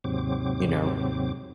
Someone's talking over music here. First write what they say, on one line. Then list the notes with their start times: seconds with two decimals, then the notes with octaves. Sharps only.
you know,
0.04 D#2 G#2 C3 F#3 C4 D6